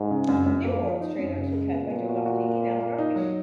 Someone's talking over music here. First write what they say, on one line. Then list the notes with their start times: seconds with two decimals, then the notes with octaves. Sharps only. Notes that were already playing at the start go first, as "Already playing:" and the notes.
New World's trailers were cut by Joe Dante and Alan Arkush.
Already playing: G#2
0.10 C#3
0.28 F#2
0.46 F#2
0.64 A#3
0.83 F3
1.01 D#4
1.19 F#2
1.37 C#3
1.54 G#3
1.72 A#2 B3
1.90 B3
2.09 F#4
2.26 F#4
2.44 A#3
2.62 A#3
2.80 A#3
2.98 D#4
3.16 F#3